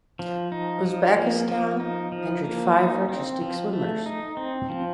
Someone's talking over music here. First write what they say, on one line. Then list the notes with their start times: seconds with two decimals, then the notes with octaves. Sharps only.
Uzbekistan entered five artistic swimmers.
0.19 F3
0.52 D#4
0.84 F3
1.16 A#3
1.48 F3
1.80 D#4
2.12 F3
2.44 A#3
2.77 D#4
3.09 C4
3.42 F3
3.73 A3
4.06 D#4
4.37 C4
4.70 F3